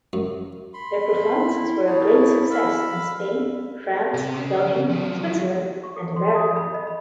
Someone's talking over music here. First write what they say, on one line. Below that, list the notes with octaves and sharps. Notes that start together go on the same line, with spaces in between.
Their performances were a great success in Spain, France, Belgium, Switzerland and America.
F#2
B5 C6
E4
D#4 C#5 A5
F5 B5 E6
C3
C#3
F3 F#3
C#6
A4
C6
D#6
B5
D#5
B5